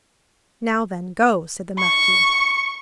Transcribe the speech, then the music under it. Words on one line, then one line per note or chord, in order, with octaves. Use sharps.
"Now, then, go," said the marquis.
C#6